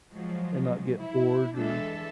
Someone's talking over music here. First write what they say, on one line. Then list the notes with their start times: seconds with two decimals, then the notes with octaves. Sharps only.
And not get bored or
0.12 F3 F#3 G#3
0.96 E4
1.56 E3 G#3 D4 A4 E5